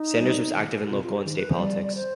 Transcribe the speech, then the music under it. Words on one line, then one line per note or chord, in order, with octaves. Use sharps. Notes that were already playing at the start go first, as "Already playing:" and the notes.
Sanders was active in local and state politics.
Already playing: D#4
G3
D#3
G4
C3 F4
F4
G4
D#3
B4
C5
G3 D5
D5
C5